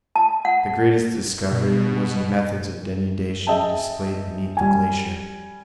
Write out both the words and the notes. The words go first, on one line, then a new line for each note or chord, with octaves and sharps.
The greatest discovery was in methods of denudation displayed beneath the glacier.
A5
F#5
B2
G#4 D#5 E5 G5 A5
G3 G#5